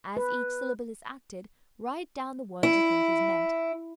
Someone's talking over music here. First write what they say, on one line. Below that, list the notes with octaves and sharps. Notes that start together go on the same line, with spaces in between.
As each syllable is acted, write down the word you think is meant.
B4
E4